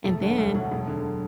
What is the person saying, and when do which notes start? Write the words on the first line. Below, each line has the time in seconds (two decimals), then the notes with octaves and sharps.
And then,
0.04 E1 A3
0.21 D3 F#3
0.38 D2 A3
0.54 E1 F#3
0.72 E1
0.88 D3